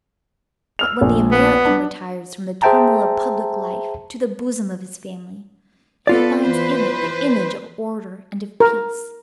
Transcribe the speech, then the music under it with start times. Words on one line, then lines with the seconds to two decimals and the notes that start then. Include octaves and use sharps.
But when the American retires from the turmoil of public life to the bosom of his family, he finds in it the image of order and of peace.
0.79 E6 F6 F7
1.01 A#1
1.31 B3
1.53 F#5
1.65 D4
2.62 G#4 C5 E5 G5 A5 A#5
6.07 B3 F4 A4 B4 D5
6.42 E3 B4 C5
8.60 A#4